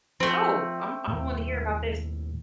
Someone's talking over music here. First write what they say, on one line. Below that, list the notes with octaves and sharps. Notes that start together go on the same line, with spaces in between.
Oh! I'm I wanna hear about this.
F3 A3 C4
D#2 A2